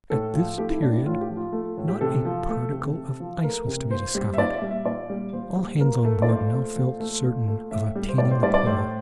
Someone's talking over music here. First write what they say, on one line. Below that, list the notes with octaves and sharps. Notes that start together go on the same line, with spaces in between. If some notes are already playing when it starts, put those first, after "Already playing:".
At this period not a particle of ice was to be discovered. All hands on board now felt certain of attaining the pole.
A2 A4
F3
A3 G4
E4
A2 D4
E4
A2 F4
G4
F3
F4
A3
A2
G4
C3 A4
F3
A3
C3
C3
F3
A3 A#4
C3
A#2 C5
G3
E5
A#2 D5
E5
G3
E5
A#2 D5
G3
A#2 C5
G3
A#2 A#4
A3
D5
A#2 C5
A3
A#2
A3
A#2
A3
A2 E5
G3
C5
A2 D5
C5
G3 D5
D5
A2 C5